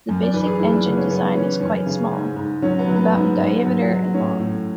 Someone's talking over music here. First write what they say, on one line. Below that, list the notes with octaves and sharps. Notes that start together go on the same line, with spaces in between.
The basic engine design is quite small, about in diameter, and long.
F#2
D5
E3 B4
G#4
F#2 E4
D4
C#3 B3
C#4
F#2 B3
E3 C#4
F#2 C#4
C#3
G#2
G#2
F#3 C#4
B3
F#3
B3
G#2
G#2
F#3
F#3
A2 C#4
A2